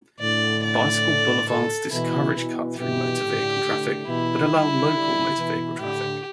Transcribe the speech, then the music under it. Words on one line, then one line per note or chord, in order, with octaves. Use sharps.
Bicycle boulevards discourage cut-through motor-vehicle traffic but allow local motor-vehicle traffic.
A2 D3 D5
D5
A4
B2 E3 E4
B2 E3
B2 E3 G4
A2 D3
A2 D3
B2 E3 E4
D3 G3
D3 G3
B2 E3
A2 D3 G4